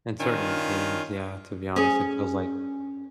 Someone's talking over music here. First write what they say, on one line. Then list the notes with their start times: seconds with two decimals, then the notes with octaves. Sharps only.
and certain games, yeah, to be honest, it feels like
0.20 D#3 C#4 D4 F4
1.76 C#4 G#4